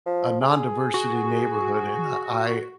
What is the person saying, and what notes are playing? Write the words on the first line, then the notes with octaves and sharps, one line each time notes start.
a non-diversity neighborhood, and, uh, I
F3
G#4
F#4